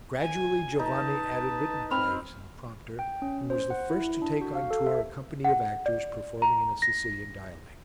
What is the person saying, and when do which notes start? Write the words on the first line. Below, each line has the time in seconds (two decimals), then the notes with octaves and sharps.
Gradually Giovanni added written plays and a prompter, and was the first to take on tour a company of actors performing in a Sicilian dialect.
0.21 G#5
0.79 D#4 B4 A5
1.91 C4 B5 F6 F7
2.99 G5
3.22 C#4
3.50 C5
3.70 F#5
3.90 E4
4.22 D4
4.41 F#4
4.55 F5
4.71 A4
4.87 E5
5.44 F#5
5.86 D5
6.42 A#5
6.82 A#6